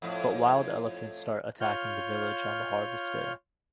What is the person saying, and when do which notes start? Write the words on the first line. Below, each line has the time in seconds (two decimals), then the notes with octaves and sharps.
But wild elephants start attacking the village on the harvest day.
0.02 F2 A2
1.61 F4 C#5 F6 G6